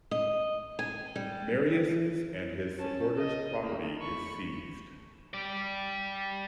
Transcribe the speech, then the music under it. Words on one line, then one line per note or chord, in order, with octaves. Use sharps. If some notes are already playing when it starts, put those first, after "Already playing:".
Marius's and his supporter's property is seized.
D#5
G#5
G3
C#4 A5
D#5
A3 A#3
B5 C#6
G4 D5